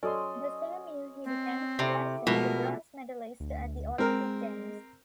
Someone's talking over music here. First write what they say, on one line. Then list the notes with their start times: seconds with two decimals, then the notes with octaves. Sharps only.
The same year he became, surprisingly, the bronze medallist at the Olympic Games.
0.03 F#3 C#4 A4 D5 D#5 C6
1.24 C4
1.79 C3 A3 E4 D5 C6
2.27 B2 F3 G#3 A3 A4 A#4
3.40 D2
3.98 G#3 C4 A#4